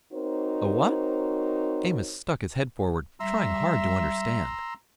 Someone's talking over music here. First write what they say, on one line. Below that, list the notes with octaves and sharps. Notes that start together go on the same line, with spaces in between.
"A what?" Amos stuck his head forward, trying hard to understand.
C4 D#4 F#4 A#4 C5 C#5
G3 E5 A#5 C6 E6